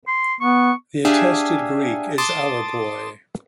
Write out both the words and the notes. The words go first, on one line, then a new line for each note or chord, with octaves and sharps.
The attested Greek is Auarpoi.
C6
B3 C#6
D4 G4 G#4 E5 F5 G#5
A5 C6 D6 D#6 A6